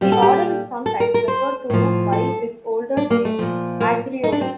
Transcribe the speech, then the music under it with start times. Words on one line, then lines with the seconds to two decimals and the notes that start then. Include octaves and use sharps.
The order is sometimes referred to by its older name "Acreodi".
0.01 A#2 G3 G4
0.12 A4
0.22 G4
0.86 A4
1.00 A#4
1.14 A#4
1.28 C5
1.70 A2 F3
2.13 A4
2.97 D4
3.10 A#3
3.25 A3
3.39 A#2 F3
3.81 A#3
4.24 D#4
4.32 D4
4.41 C4